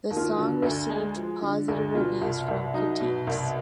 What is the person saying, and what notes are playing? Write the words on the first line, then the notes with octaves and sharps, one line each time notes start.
The song received positive reviews from critics.
D#2
F4
D3 F#4
D2
G#3
F3
D3
D2
B2 F4
C2
C2
F#3 D#4
B2
C2